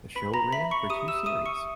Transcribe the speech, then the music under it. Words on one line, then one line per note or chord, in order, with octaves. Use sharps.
The show ran for two series.
B4 B5 B6
A#5 A#6
E5 B5 B6
C#6 C#7
G4 D#6 D#7
E6 E7
E5 D#6 D#7
C#6 C#7